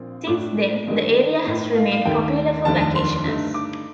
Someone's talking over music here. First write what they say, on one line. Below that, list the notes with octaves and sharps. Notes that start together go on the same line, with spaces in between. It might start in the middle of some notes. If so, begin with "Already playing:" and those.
Since then, the area has remained popular for vacationers.
Already playing: A#1 A#2 C4
A2 A3 D4 D6
G1 G2 D#3 G3 A#3 D#5
A2 A3 D#4
F5
F5
D#2 D#3 A3 G5
F1 D#2 D#3 A3 D4 A5
A5
C6
G2 D3 A3 D#4
D6